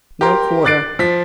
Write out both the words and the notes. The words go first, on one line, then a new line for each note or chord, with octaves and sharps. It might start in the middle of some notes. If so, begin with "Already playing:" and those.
No quarter.
G4 A#4 A#5 C6
D6 F#6 A6 C7 D7
F3 B6